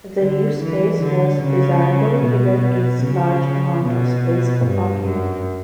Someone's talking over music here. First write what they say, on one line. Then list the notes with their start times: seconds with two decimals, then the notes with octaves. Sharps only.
The new space was desirable given its large amount of space for parking.
0.21 D3
0.62 E3
1.02 D3
1.43 C#3
2.23 B2
3.04 C#3
3.85 B2
4.65 G2
5.05 F#2